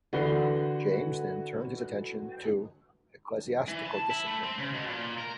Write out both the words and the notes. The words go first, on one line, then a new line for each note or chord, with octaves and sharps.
James then turned his attention to ecclesiastical discipline.
D3 E3 F#4 B4 G5 C6
E3
A5
E4
A3
C4
C#3
B2
A#2
A#4